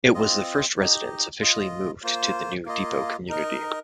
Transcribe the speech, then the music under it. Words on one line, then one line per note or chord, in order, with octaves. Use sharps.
It was the first residence officially moved to the new depot community.
C4 F4 D#5
D#4 G4 D#5
F4 D#5
A#3 F4 C5
A#3 F4 D#5
D#4 A#4 D#5